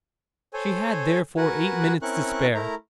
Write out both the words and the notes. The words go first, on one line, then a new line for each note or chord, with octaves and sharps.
She had, therefore, eight minutes to spare.
A4 C5 C#5 G#5
F#4 A#4 B4 F#5 G#5
C4 C#4 E4 A#4 C#6 F#6
A3 E4 A#4 A#5